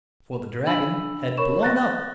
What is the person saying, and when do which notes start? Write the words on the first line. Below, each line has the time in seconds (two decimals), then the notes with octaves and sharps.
For the dragon had blown up.
0.67 D4 B5 E6 F#7
1.37 A#4 C#5 B5 C#6 E7
1.63 F#6 A6 A#6